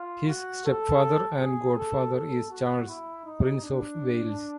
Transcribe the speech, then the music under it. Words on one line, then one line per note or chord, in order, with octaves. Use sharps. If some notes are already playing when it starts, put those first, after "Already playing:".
His stepfather and godfather is Charles, Prince of Wales.
Already playing: F4
F#4
A4
G#4
A4
A4
F#4
E4
D#4
D4